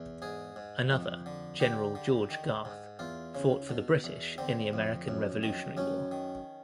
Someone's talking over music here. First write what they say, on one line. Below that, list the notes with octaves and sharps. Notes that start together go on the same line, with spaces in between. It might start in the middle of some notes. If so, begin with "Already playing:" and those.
Another, General George Garth, fought for the British in the American Revolutionary War.
Already playing: E2
G#2 G#4
G#2
F2
D3
D3 G4
D3
D#3
G#2
E2 F4
C#3
B2
E2
D3 C4
F2
F#2
D#3
F#2 C#4
D#3